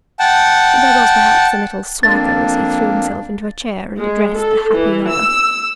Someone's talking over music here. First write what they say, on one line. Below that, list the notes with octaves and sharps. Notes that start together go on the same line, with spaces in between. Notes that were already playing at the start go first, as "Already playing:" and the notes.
There was perhaps a little swagger as he threw himself into a chair and addressed the happy lover.
F#5 G5 A5
F2 A#3 D4 A6
G#3
A4
E3
E6